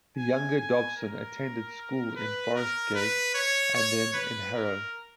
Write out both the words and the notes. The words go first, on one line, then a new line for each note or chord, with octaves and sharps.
The younger Dobson attended school in Forest Gate and then in Harrow.
G#5
G#5
A#4
B4
A#4
B4
C#5
C#5
B4
A#4